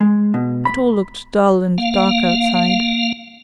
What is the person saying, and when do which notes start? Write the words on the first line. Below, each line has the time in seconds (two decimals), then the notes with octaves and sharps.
It all looked dull and dark outside.
0.01 G#3
0.34 B2
0.65 B5
1.78 A#3 F5